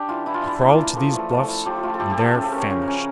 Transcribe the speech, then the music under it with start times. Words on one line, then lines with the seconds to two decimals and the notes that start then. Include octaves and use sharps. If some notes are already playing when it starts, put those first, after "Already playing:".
He crawled to these Bluffs and there famished.
Already playing: D4 G4
0.09 E3 F4
0.26 E3 E4
0.34 F4
0.42 E3 E4
0.62 A#3
0.73 F4
0.78 E3
0.95 F3 A4
1.13 A3
1.19 A4
1.30 F3
1.43 A4
1.48 E4
1.66 F3 G4
1.83 A3 F4
1.94 A4
2.00 E4 G4
2.10 G4
2.18 F3 A4
2.34 C#3
2.43 A4
2.52 C#4 A#4
2.58 C#5
2.70 C#3
2.82 A#4
2.88 C#4